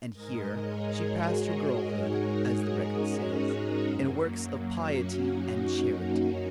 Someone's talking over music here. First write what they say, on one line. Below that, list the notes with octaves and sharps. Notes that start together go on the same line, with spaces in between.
And here she passed her girlhood, as the record says, "in works of piety and charity."
G#2 G#3 A#4 D#5
G#4 C#5
F#4 A#4
F#4 A#4
D#4 G#4
D#4 G#4
C#4 F#4
F#2 F#3 A#3
C#4 F#4
A#3 D#4
C#4 F#4